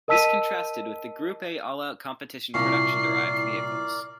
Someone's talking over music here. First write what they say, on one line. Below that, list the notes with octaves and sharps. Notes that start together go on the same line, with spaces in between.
This contrasted with the Group A all-out competition production-derived vehicles.
A#4 D#5 A5 E6 B6 D#7
C2 A#2 E4 A#4 D5 C#6 C7